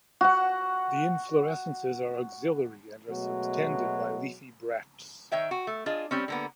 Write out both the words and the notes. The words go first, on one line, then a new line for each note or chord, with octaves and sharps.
The inflorescences are axillary and are subtended by leafy bracts.
F#4 F#5
B2 F#3 G#3 A3
D#3 C#5 E5 G5
F#4
A3
D4 F4 G#4 D#5
G3 C4 C#4
D3 A#3 B3